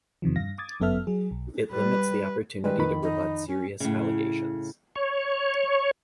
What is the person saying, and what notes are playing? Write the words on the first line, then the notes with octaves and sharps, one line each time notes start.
It limits the opportunity to rebut serious allegations.
E2 C3 D#3 F3
G2 F5 A#6
D6 D#6 G#6 A6
G1 F#2 B3 A4 E5 F6
F#3 G#4
B1
G3 B4
D#3 G3 G#3 B4
F2 D#3 B5
D#4
C#4
A2 C#3
C#5